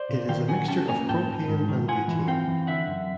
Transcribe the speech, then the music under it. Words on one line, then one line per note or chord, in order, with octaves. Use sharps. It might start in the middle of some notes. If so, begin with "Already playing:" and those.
It is a mixture of propane and butane.
Already playing: C5 D5
A#2
D#3 F5 G5
F#3 F#5 G#5
C#4 G5 A5
A#3 G#5 A#5
G#2 G5 A5
G#2
G#2
D#3
F4 F#5 G#5
E3
C4 F5 G5
E3
D3 E5 F#5
F#2